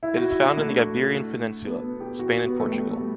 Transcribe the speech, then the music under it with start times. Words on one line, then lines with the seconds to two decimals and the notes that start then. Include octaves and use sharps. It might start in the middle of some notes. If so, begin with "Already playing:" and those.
It is found in the Iberian Peninsula: Spain and Portugal.
0.03 E4
0.17 F#4
0.31 E4
0.44 D4
0.57 A3
1.64 B3
1.82 B3
2.00 G4
2.19 F#4
2.33 F#4
2.46 B3
2.60 A3
2.72 G3
2.90 A3